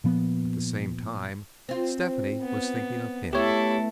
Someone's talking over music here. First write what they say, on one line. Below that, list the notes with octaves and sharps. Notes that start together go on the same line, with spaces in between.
At the same time Stephanie was thinking of him.
A#2 F3 B3
C4 F4
B3
A3 B3 E4 G4 A4 C#5